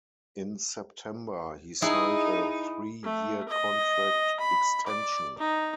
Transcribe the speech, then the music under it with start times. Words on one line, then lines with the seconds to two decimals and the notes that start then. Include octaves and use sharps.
In September, he signed a three-year contract extension.
1.82 D#4 E4 G#4
3.03 A3
3.49 D#5
4.40 B5
4.87 D5
5.38 D#4